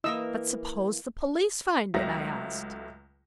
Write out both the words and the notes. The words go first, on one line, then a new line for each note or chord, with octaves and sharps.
"But suppose the police find it?" I asked.
E3 A#3 E4 A#4 D#5 E6
C#2 F#3 A3 E5 A#5 A#6